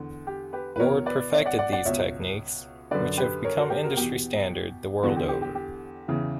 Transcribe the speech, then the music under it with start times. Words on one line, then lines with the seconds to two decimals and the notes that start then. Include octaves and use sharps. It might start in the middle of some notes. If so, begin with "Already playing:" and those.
Ward perfected these techniques which have become industry standard the world over.
Already playing: E2 D3
0.27 G4
0.53 G4 B4
0.76 B4
0.80 E2 B2 A#4 C#5
1.06 B4 D5
1.32 C#5 E5
1.46 D5 F#5
1.58 D5 F#5
1.72 D5 F#5
1.85 C#2 B2 C#5 E5
2.91 F#2 D3 B4 D5
3.17 G4 B4
3.44 A#4 C#5
3.57 F#4 A#4
3.70 G4
3.84 F#4 A#4
3.97 E2 B2 G4
5.03 E2 D3 F#4
5.16 G4
5.29 G4
5.42 G4
5.55 G4
6.08 E2 C#3 E3